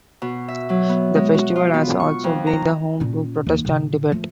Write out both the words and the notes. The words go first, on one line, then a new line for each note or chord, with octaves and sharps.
The Festival has also been the home to protest and debate.
B2
E5
F#3
B3
G#3
F#4
F4
B3
C#6
F2
A#5
A#2 C#4
D#2
A2 C#3
F3 A3